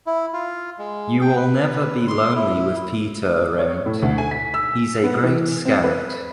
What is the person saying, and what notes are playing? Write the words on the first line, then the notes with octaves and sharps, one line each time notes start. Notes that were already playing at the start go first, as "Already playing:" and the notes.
You'll never be lonely with Peter around. He's a great scout.
E4
F4
G#3
G5
B4
C6
E4
C#5
A2
D2
G#5
B6
E6
B3
E3
C4
B4